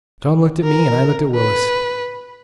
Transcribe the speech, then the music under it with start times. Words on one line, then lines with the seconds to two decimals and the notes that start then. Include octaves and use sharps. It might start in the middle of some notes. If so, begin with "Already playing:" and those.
John looked at me, and I looked at Willis.
0.64 A#4
1.35 B4